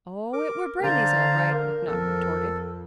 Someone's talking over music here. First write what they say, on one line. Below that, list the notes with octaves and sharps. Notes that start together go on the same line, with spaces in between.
"Oh, it were Brayley's, all right," McNutt retorted.
A#4 D6
D3 C5 D5 F5 A#5
A#4
F2 A4